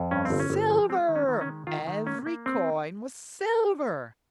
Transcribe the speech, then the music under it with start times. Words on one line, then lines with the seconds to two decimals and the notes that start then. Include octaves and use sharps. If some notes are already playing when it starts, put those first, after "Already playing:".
Silver, every coin was silver!
Already playing: F2
0.11 G2 C#4
0.25 C4
0.30 G1
0.40 C#4
0.50 G1
0.70 F3
0.89 G#3 C4
1.08 D#3
1.16 C#4
1.28 D#3
1.41 C#4
1.47 G#3
1.67 D#3 F4
1.87 D#3
2.06 A#3 C#4
2.26 A#3
2.46 C4